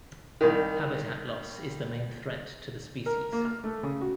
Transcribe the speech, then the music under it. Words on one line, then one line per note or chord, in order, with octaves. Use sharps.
Habitat loss is the main threat to the species.
C2 D#3
A#4
A#3
F6
A3
C#3
F#4